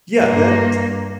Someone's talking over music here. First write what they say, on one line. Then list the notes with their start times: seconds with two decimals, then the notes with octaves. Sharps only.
Yeah, that's
0.19 G2 A#3